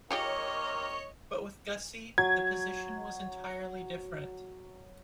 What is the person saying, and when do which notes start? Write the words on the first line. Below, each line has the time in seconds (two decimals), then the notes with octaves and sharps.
But with Gussie, the position was entirely different.
0.11 C3 D#3 A#3 F4 G4 G#4 C#5 D#5
2.18 F#3 G#6